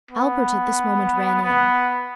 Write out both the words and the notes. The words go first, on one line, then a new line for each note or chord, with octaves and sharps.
Albert at this moment ran in.
B3
B3